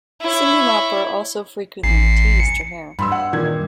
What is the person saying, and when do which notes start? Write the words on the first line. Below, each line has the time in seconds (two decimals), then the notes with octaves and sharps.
Cyndi Lauper also frequently "teased" her hair.
0.21 E4 C#5
1.83 A1 C7
2.40 C#7
2.99 G2 B5 C6 E6
3.12 F#5
3.32 A#2 D#3 G#6